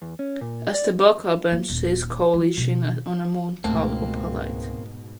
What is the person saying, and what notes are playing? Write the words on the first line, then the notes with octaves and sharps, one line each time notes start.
As the book opens, she is "coalescing" on a moon called Opalite.
E2
C#4
A#2
D5
F#3 A#3
D#1
E3 F#3
B2 D#3
C#2 G#2 B2 A3 A#3 C4